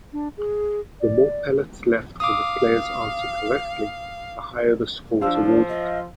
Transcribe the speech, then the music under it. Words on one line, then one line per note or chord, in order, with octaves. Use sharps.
The more pellets left when the players answer correctly, the higher the scores awarded.
D4
G#4
D5
F5 D6 D#6
F3 D4 F5 E6
D#5